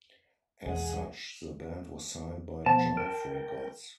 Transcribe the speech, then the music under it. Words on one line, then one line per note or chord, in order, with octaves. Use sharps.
As such, the band was signed by Jive Records.
B1 E2 G#3 G#4 F#5
B2 F3 B3 A5
A#4 G5